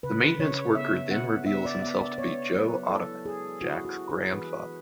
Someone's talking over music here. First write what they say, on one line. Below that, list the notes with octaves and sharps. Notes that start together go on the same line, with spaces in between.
The maintenance worker then reveals himself to be Joe Ottoman, Jack's grandfather.
C#3 B4
C#3 C#5
B3 E5
B3 F#5
B3 E5
D5
B3 E5
D5
B3 C#5
F#3 B4
E4 A4
E4 G#4
E4 F#4
F#4
E4
G#4
E3 B4